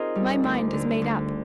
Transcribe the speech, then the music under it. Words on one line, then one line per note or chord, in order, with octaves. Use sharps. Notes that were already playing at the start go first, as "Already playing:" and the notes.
My mind is made up.
Already playing: C4 D#4 F4 G#4 A#4
G3
D2
D3
D2